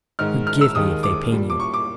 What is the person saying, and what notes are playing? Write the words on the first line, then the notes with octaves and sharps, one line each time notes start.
Forgive me, if they pain you.
G#2 D#3 G#3 F6
F6
E6
D#2 D#3 G#3 D#6
D6
A#2 G3
D6
C#6
D6